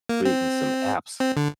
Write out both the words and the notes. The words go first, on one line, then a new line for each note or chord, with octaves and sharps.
creating some apps
A#3
C4
C4
D3